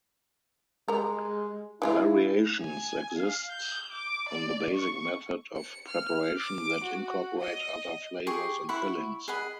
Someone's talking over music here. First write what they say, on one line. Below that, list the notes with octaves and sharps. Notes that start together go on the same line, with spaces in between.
Variations exist on the basic method of preparation that incorporate other flavors and fillings.
G3 G#3 A#4
E3 G#3 E4 F4
G#5
F5
G6
D6
D5
C#6
C#7
F6
D6
F#4
D#5
G4 G#4 C#6
E4 F#5 B5 C#6
G#4 D#5 F#5 B5